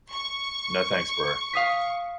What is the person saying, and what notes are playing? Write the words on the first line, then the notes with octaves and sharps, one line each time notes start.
No thanks bro.
C#6
F5 D#6 B6